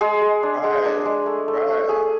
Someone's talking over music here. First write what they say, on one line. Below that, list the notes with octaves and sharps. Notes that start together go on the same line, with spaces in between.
Right, right.
G#3 G#4
G#3
D4
G#3
D4
G#3
A3
A3
A3
A3 G#4